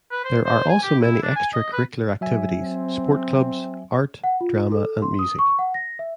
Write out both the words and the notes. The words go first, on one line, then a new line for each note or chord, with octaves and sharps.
There are also many Extra-curricular activities, Sport Clubs, Art, Drama and Music.
B4
C5
C5
G#5
G4
E4
D4
G#5
D#5
B4
F#3 E5 G#5
C4
F#5
F4
A4
C6
D#6
C#6
F#5
A#6
E5